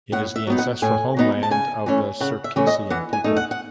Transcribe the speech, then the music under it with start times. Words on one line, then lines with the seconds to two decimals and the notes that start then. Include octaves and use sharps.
It is the ancestral homeland of the Circassian people.
0.12 A2 F#5
0.36 E5
0.47 F#3 B3 D#4
0.58 F#5
0.82 A2 G#5
1.17 F#3 B3 D#4
1.43 A5
1.51 C#3 G#5
1.86 E3 A3 C#4
2.20 C#3 F#5
2.44 E5
2.56 E3 A3 C#4
2.67 D#5
2.90 E3 F#5
3.13 G#5
3.24 A3 D#4
3.37 F#5
3.51 F#5